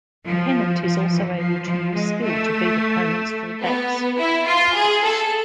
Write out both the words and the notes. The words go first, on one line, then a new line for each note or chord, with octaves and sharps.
Pennant is also able to use skill to beat opponents' full backs.
F3
F3
E3
F3
F3
G#3
A3
B3
E4
F4
G#4
A4